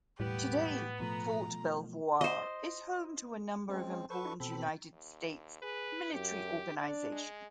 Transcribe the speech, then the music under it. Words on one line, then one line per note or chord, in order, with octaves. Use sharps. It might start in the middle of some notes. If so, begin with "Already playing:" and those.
Today, Fort Belvoir is home to a number of important United States military organizations.
E1 D#2 A2 G3 B3 G4
B2 F3 A3 A#5
C5 D#5
G#3 C4 C#4
A4 B4 C5 C#6
D4 E4 F#4
B2 C4 A4 B5
D#2
G#4 B4
F#2 G4
D4 D5
G#3